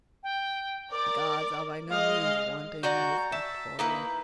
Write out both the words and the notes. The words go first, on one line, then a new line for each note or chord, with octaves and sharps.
The gods are by no means wanting in respect for you.
G5
A#4 D5 D6
G#3 D#5 F5
F#4 D5 G#5 A#5 C#6 G6
E5 A5
A#3 D#4 E4 B4